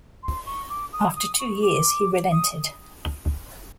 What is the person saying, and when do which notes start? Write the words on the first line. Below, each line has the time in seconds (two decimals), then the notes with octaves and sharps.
After two years, he relented.
0.23 C6
0.46 C#6
0.69 D6
0.93 D#6
1.15 D#6
1.39 C#6
1.62 D6
2.32 D#6